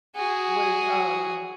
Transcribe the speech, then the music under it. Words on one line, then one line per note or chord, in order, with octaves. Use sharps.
was, um,
F#4 G#4